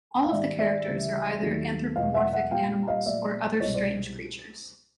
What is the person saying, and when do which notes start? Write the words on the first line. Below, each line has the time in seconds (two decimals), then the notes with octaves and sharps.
All of the characters are either anthropomorphic animals or other strange creatures.
0.24 F5
0.31 G#2 D#3 G3 D5 E5
0.59 D5 E5
0.87 D2 C#3 E3 G3
1.42 D#2 D#3 F#3 A3
1.96 E2 B2 F#3 D#5 F5
2.14 E5 F#5
2.33 E5 F#5
2.51 A#2 G3 F5 G5
2.88 D#5 F5
3.06 A#2 F#3 A3 D5 E5
3.60 C2 B2 G#3 C#5 D#5
3.74 C5 D5